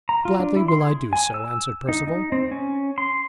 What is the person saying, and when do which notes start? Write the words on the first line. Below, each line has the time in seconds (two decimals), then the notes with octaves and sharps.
"Gladly will I do so," answered Perceval.
0.09 A#5
0.25 F4
0.39 D4
0.56 E4
0.68 C6
0.80 G#4
1.13 G#5
1.34 E6
1.89 D#4
2.08 D#4
2.32 C4
2.51 C#4
2.98 C6